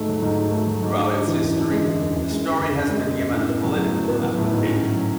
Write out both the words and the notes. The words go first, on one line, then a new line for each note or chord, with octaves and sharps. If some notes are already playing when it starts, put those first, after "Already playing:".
Throughout its history, the story has been given a political application.
Already playing: G#2 A3
F#3
G#2
G#2
A3
F#3
G#2
D4
G#3
E3
F#2
D4
G#3
E3
F#2
F#2
G#3
D3
F#2
F#2
G#3
D3
F#2
A2
B3
F#3
A2
A2
B3
F#3
A2
G#2
C#4
F#3